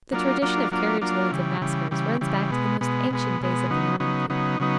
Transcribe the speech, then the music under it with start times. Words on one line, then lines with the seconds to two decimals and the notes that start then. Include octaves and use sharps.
The tradition of carriage-loads of maskers runs back to the most ancient days of the monarchy.
0.12 F#3 A#3 D4 F4
0.42 F#3 A#3 D4 F4
0.72 F#3 A#3 D4 F4
1.01 F#3 A#3 D4 F4
1.32 C#3 E3 G3
1.61 C#3 E3 G3
1.91 C#3 E3 G3
2.21 C#3 E3 G3
2.51 B2 G#3 B3
2.81 B2 G#3 B3
3.10 B2 G#3 B3
3.40 B2 G#3 B3
3.70 C#3 F#3 B3 D#4
4.00 C#3 F#3 B3 D#4
4.30 C#3 F#3 B3 D#4
4.60 C#3 F#3 B3 D#4